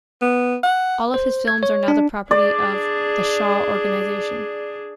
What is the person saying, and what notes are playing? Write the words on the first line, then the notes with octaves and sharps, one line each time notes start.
All of his films are now the property of the Shaw Organisation.
B3
F#5
C5
G#6
C#5
D4
D4 G#4 D5